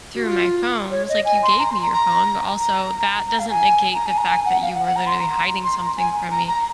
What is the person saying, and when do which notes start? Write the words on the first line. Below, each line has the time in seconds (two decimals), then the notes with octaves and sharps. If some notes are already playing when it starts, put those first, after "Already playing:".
through my phone." I was, like, "You gave me your phone, but also that doesn't negate the fact that you were literally hiding something from me."
0.15 F#4
0.24 F4
0.91 C#5
1.09 D#5
1.25 G#5
1.43 C6
1.59 A#5
1.71 C6
1.82 A#5
1.93 A#5
2.61 A#5
3.28 A#5
3.39 F5
3.50 G#5
3.95 A#5
4.06 G#5
4.17 A#5
4.29 G#5
4.46 F#5
4.62 F5
4.74 F#5
4.85 F#5
4.96 A#5
5.07 C6
5.19 A#5
5.63 C6
5.80 A#5
5.97 G#5
6.32 A#5
6.47 A#5